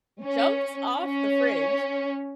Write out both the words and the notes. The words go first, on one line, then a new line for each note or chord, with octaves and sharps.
jumps off the fridge,
C#4
C#4